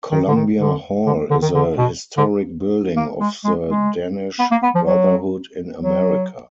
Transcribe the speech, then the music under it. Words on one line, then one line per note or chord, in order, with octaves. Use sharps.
Columbia Hall is a historic building of the Danish Brotherhood in America.
D#3
D3
D#3
D3
D3
D3
D#3
D3
B2
D3
A#3
G#3
G#3
G#3
B3
A#3
B3
F3
F#3
F#3